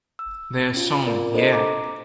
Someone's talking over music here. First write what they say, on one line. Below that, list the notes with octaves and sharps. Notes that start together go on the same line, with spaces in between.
Their song Yeah!
E6
C#4 F4
C4 F4 A#4 D5
D4 A4 C5 D#5
A#5 D6